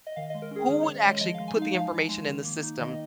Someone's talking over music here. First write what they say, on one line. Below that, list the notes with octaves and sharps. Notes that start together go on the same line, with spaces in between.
Who would actually put the information in the system,
D#5
D#3 F5
G#3 D#5
A#4
C#4 G#4
D#3
C#5
D#3
C#5
G#3 D#5
F3 D#5
F5
G#3
G#5
D#4
F5
F3 F5
F3
G#3
D#3
A#3
D#4
D#3 D#5